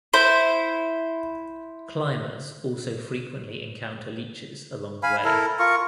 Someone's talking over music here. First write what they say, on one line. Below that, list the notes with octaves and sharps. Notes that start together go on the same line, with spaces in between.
Climbers also frequently encounter leeches along the way.
E4 C5
F5 G#5 B5
E4 A4 A#4
F4 A#4 C#6